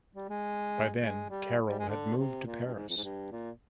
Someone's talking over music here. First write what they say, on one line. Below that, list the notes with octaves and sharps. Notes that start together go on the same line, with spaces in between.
By then, Carroll had moved to Paris.
G3
G#3
G#3
G3
G3
G#3
D3
C3
A#2
G2
G#2
F2
G#2
G2
A#2